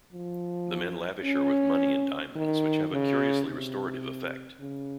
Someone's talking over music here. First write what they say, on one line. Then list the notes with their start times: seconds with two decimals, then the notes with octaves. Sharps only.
The men lavish her with money and diamonds, which have a curiously restorative effect.
0.13 F3
1.24 C#4
2.36 D#3
2.92 C#3
3.48 C3
4.60 C#3